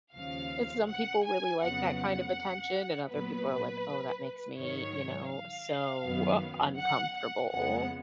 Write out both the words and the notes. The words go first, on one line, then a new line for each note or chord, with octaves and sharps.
Some people really like that kind of attention and other people are like, "Oh, that makes me, you know, so u uncomfortable."
D#2 C#3 F3 F5
F#5
G#5
F2 C#3 F#3 B3 F#5
F#5
A#2 F#3 B3 B4
G#2 D#3 F#3 C#5
F5
F#2 D#3 F#3 B3
F#5
F#5
F2 C#3 G#3 B3 F#5